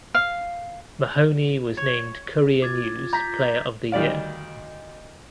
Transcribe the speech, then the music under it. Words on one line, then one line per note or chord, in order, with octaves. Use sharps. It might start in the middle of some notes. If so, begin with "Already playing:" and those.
Mahoney was named Courier News Player of the Year.
F5
C#5
F4 D6 G#6 A6
A#5 G6 B6
D2 D#3 G3 D5 F5